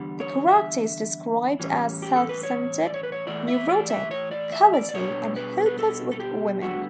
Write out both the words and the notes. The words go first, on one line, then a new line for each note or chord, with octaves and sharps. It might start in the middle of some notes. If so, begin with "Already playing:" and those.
The character is described as self-centred, neurotic, cowardly and hopeless with women.
Already playing: E2 D3 G3
C#5
E5
A2 E3 G3 C#4
G4
A4
B4
C#5
D5
C#5
B4
C#5
A2 E3 A3 E4 D5
E5
D5
E5
C#5
D5
E5
D5
D5
B2 G3 B3 D4 C#5
B4
B4
A4
A4
G4
D3 G3 B3 E4 F#4